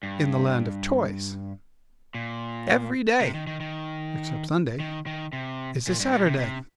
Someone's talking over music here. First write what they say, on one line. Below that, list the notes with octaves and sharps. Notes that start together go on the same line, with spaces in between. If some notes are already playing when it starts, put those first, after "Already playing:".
In the Land of Toys, every day, except Sunday, is a Saturday.
G2
A#2
C3
D#3
D#3
D#3
D#3
D#3
C3
A#2
G2
A#2
C3
C3